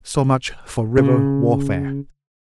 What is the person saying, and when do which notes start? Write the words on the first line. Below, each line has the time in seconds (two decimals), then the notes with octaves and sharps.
So much for river warfare.
0.98 C#3